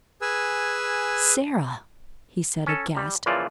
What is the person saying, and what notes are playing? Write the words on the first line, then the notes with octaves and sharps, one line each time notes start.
"Sara!" he said, aghast.
G#4 B4 G#5 E6
C#4 A4
G3
A#2 C#3 E3 F3 F4 D5